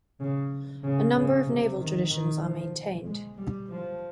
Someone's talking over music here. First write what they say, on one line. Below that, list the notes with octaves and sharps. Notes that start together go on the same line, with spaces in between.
A number of naval traditions are maintained.
C#3
C#3
C#3
C3
D#3
D#3
F3
G#3
G3
F3